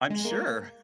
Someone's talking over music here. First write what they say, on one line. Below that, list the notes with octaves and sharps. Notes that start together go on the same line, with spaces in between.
I'm sure!
G#3
A#3